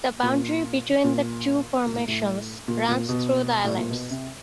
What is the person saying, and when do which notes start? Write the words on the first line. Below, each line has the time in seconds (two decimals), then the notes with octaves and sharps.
The boundary between the two formations runs through the islands.
0.23 A#2
1.04 A#2
1.86 A#2
1.94 A2
2.08 A2
2.68 A#2
2.88 A#2
3.09 B2
3.64 A2
3.78 A#2
3.90 B2
4.10 C3